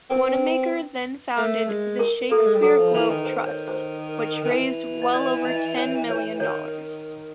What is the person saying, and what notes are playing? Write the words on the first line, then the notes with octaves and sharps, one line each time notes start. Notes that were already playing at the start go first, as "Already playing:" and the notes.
Wanamaker then founded the Shakespeare Globe Trust, which raised well over ten million dollars.
C4 B4
A3 A#4
G#3
A#4
A#3 A4
A3
G#3
G3
F#3 A4
F3
E3 B4
D#3
C5
C#5
C5
D#3
E3
D#5
D5
D#5
C#5
C#5
D#3 C#5